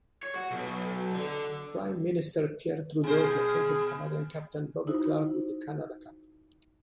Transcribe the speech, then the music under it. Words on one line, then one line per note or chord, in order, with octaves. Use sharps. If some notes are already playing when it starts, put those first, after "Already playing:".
Prime Minister Pierre Trudeau presented Canadian captain Bobby Clarke with the Canada Cup.
C#5
F#4
B1 B2
D3
B2 G#4 C5
D#4 E4 F#4 C5